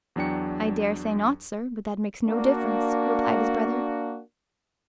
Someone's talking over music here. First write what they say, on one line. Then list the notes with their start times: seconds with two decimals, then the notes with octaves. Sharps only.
"I dare say not, sir; but that makes no difference," replied his brother.
0.16 E2 F#3 D4 G5 C#7
2.27 A#3 D4 F#4